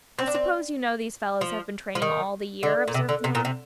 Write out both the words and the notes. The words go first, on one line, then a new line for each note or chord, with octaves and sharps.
"I suppose you know these fellows have been training all the year?" observed the man.
C4
D4
C4
F3
F3
D#3
D3
A#2
C3
D3
C3
A#2
C3